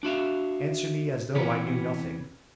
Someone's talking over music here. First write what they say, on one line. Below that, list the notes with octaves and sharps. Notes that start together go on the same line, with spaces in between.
"Answer me as though I knew nothing."
D4 F#4 E5 F5
C3 E3 B3 C#4